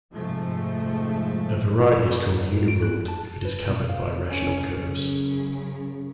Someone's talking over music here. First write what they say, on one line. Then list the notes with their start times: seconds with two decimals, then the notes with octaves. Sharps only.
A variety is called uniruled if it is covered by rational curves.
0.10 F2 G#2 C3 F3 G#3 A3
2.27 F#2
2.68 D7
2.82 F#6
3.08 A5
3.45 B4
3.69 B2
3.89 F5
4.31 C#4
4.79 F#2 C#3